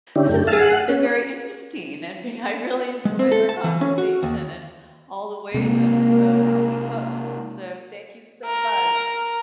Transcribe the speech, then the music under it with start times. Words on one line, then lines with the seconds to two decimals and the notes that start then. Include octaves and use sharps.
This has very been very interesting, and ve I really enjoyed our conversation, and all the ways of of how we cook, so, thank you so much.
0.16 D3 C#4 D4 E4 G4
0.29 F#2 A3 G4
0.47 E5 F5 A5
0.61 F#5
0.89 C#4
3.05 G#3
3.19 C4
3.32 A4
3.49 A5
3.64 E3
3.81 C#4
3.98 F#4
4.23 D#2
5.54 C3 G#3 A#3
8.46 A#4